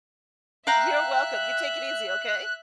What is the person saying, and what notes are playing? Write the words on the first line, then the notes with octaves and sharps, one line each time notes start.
You're welcome, you take it easy, okay?
E5 F5 G5 A#5 F#6